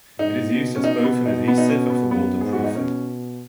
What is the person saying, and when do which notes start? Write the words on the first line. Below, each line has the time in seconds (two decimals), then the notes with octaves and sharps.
It is used as both an adhesive and for waterproofing.
0.19 G#2 D#4
0.51 B2
0.75 C#4
0.84 D#4
1.04 B3
1.26 D#4
1.48 B3
1.58 D#4
1.69 C#4
1.90 B3
2.11 F#2 B3
2.41 G#2 G#4
2.53 F#4
2.64 D#4
2.75 B2 C#4